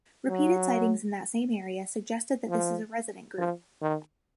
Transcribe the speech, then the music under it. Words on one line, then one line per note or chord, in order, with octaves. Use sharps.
Repeated sightings in that same area suggested that this is a resident group.
F#3
F3
F3
D#3